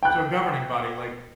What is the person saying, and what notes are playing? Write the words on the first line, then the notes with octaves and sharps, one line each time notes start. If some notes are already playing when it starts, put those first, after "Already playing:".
So, a governing body, like
G5 F#6